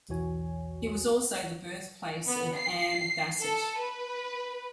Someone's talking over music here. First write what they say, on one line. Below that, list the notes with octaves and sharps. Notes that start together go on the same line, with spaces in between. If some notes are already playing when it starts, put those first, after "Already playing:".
It was also the birthplace of Ann Bassett.
B1 E2 E3 F#4 C#5 G#5
B3
C7
A4
B4